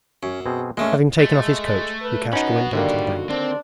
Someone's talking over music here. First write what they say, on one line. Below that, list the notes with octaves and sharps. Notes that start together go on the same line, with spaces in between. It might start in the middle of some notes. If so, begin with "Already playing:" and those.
Having taken off his coat, Lukashka went down to the bank.
F#2 C#4
B2 C4 G#4
A#2 G#3 A3 C#4
G#3 A3
B4
B3 C#4 D#4 F#4 B5
D3 D#3 G3 A#3
C4 D4